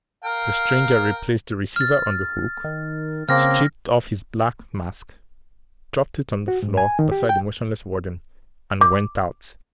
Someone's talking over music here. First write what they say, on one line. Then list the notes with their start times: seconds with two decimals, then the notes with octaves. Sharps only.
The stranger replaced the receiver on the hook, stripped off his black mask, dropped it on the floor beside the motionless warden, and went out.
0.25 A#4 F5 G5
1.76 F6 A6
2.64 D#3
3.29 C#3 A#3 C4 F6 A#6
6.48 F#4
6.62 G#2
6.77 G#5
6.99 D#3
7.11 G4
7.29 G5
8.81 D6